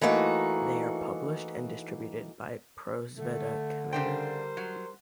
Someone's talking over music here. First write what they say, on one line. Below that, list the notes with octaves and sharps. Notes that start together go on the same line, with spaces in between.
They are published and distributed by Prosveta-Canada.
E3 A3 A#3 D#4 F#4
D3 A3
C#3 G3 D4 A#4 C5 G5
F#3